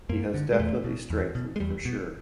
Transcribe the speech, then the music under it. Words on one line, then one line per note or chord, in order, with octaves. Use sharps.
He has definitely strengthened for sure.
F#2 A#3
D3
G#3
E2 A3
B2
E2
B2
G#3
E2 G3
B2